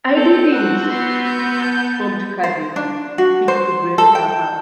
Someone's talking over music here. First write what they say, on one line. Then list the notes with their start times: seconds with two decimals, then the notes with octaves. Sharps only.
'I didn’t!’ sobbed Cathy, fit to break her heart.
0.17 C4 A4 G6
0.52 F#4 F#6
0.89 B3 C6
1.24 G6
1.61 A5
2.44 C5
2.76 D4
3.18 F#4
3.48 C5
3.98 A4
4.15 G5